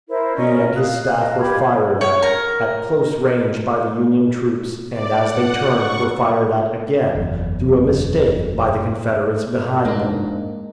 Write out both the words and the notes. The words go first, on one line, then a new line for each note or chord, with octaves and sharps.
He and his staff were fired at, at close range, by the Union troops, and, as they turned, were fired at again, through a mistake, by the Confederates behind them.
E4 A#4 C5
C#4 A#4 D5 D#5
F5 D#6 F#6
A#4 D#5 F5 A5
F4 G4 B5 G#6
C6
C#5
A#4
D5
F#5
C#6
F#1 E2
G#2 G#3 A#3 D4 D#4 A#4